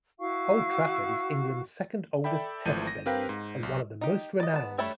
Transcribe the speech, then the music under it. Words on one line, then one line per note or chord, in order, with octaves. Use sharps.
Old Trafford is England's second oldest Test venue and one of the most renowned.
E4 F#4 F5 C#6
A4 D5 E5 G5 B5
G#1 E3 F3 A3 G6 D#7
A#6
C4 G4 A#4 B4 F5 G5
G#2
B1
D#4 G4
D5 D#5
B3 A5
G3 A3 D4 C#5 B5